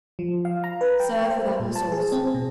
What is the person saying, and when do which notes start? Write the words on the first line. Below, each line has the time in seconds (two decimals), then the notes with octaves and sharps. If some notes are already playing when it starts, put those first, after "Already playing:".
Serve with apple-sauce.
0.19 F3
0.45 F5
0.64 A#5
0.81 B4
1.00 G5
1.30 C5
1.60 A#2
1.76 A5
1.92 G#4
2.12 C4
2.34 B2